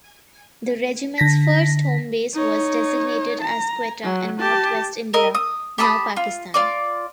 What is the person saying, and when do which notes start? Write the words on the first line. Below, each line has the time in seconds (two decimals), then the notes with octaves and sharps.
The Regiment's first home base was designated as Quetta in northwest India, now Pakistan.
1.18 D3 A#6 B6
2.34 D#4 C#5
3.41 A#5
4.03 F#3
4.39 G4 A5
5.14 A#4 D#5
5.35 D#6
5.78 G4 A5 B5 D#6
6.17 F4
6.54 F4 D5 D6